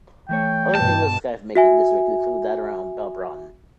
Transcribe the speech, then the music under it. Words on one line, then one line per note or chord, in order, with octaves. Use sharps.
Other English scythe-making districts include that around Belbroughton.
E3 A3 C#5 G5
G2 B2 A5
F#4 E5 G#5